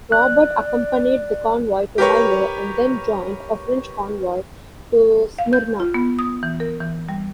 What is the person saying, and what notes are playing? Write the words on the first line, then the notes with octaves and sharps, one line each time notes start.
"Robert" accompanied the convoy to Milo and then joined a French convoy to Smyrna.
D5 F#6
G4 A#4 B4 C#5
F5
G6
F4
B3
D#6
E3
A#4
E3
G3